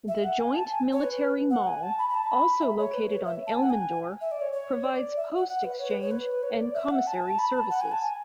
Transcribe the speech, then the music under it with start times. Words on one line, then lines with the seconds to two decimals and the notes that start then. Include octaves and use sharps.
The Joint Military Mall, also located on Elmendorf, provides post exchange and commissary services.
0.08 E5
0.24 F#5
0.40 G#5
0.56 A5
0.72 G#5
0.92 C#5
1.04 B4
1.51 F#5
1.67 G#5
1.83 A5
1.99 B5
2.09 B5
2.14 A5
2.31 B5
2.62 E5
2.78 C#5
2.94 B4
3.09 C#5
3.25 E5
3.47 A5
3.55 G#5
3.62 F#5
3.70 G#5
4.21 E5
4.31 D5
4.41 C#5
4.53 C#5
4.84 D5
5.16 E5
5.37 F#5
5.48 F#5
5.64 B4
5.79 C#5
5.91 B4
6.01 C#5
6.11 B4
6.43 C#5
6.59 D5
6.74 E5
6.90 F#5
7.07 A5
7.14 G#5
7.22 A5
7.39 B5
7.54 A5
7.70 F#5
7.81 G#5
7.92 A5
8.01 G#5